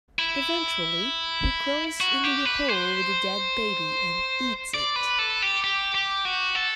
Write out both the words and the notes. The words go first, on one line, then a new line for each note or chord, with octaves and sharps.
Eventually, he crawls into the hole with the dead baby and eats it.
E4
F#4
G4
B4
C5
D5
B4
A4
G4
G4
G4
F#4
A4